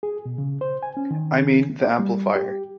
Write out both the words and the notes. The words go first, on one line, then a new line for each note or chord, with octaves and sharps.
I mean, the amplifier.
G#4
B2
C#3
C5
G#5
C#4
D#3
D5
G3
G4